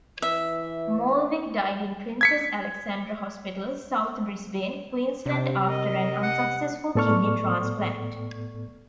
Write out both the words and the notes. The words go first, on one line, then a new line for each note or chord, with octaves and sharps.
Molvig died in Princess Alexandra Hospital, South Brisbane, Queensland after an unsuccessful kidney transplant.
E3 E5
G#6 B6 C#7
C3 C4
A#4 D#5
F#5
A2 B3 A4 D5 C#6 F6